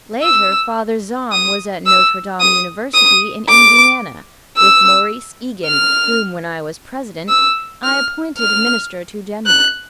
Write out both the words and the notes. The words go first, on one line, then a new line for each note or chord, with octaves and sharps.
Later Father Zahm was at Notre Dame University, in Indiana, with Maurice Egan, whom, when I was President, I appointed minister to Denmark.
E6
D#6
E6
D#6
D#6
D6
E6
F6
E6
F6
F6
F#6